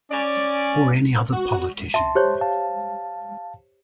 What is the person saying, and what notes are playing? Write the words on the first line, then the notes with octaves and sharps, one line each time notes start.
Or any other politician.
C#4 D5
F#4
E5 A5 C6
G4 C5 C#5
F5 A5